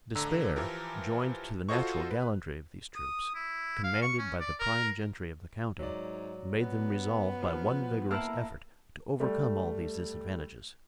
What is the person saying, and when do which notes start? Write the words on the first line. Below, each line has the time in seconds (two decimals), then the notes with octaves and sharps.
Despair, joined to the natural gallantry of these troops, commanded by the prime gentry of the county, made them resolve by one vigorous effort, to overcome all these disadvantages.
0.15 A1 D3 A#5 E6
0.56 E3 F3 G4 A#4
1.69 F4 F#4 A4 C5 D#5 C#6
2.11 B4
2.96 D#6
3.35 E4
3.84 F5
4.02 C#6
4.19 C#4
4.40 D5
4.59 A#4
5.79 G#2 F#3 D5
6.60 B3
7.43 F3
8.11 A#3 E4 A5 E6 F6
9.20 G3 A3